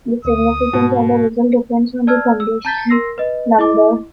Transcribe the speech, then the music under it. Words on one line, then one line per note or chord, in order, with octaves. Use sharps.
The significance of the result depends on the condition number.
D2 D#6
G#2 B2 A5
D5 A5 E6 F6 G#6
E6
A5 A#5 G6 A6 B6 G7
A#4 C6 E6 A#6 C7
B4 D#5
E4 D#5 D6